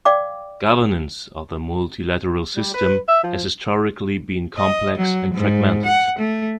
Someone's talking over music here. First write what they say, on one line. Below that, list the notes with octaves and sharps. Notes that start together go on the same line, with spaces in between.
Governance of the multilateral system has historically been complex and fragmented.
D5 F5 G5 D6
G3
B4
E5
F3
D#5
F#3
G#2
F#5
A3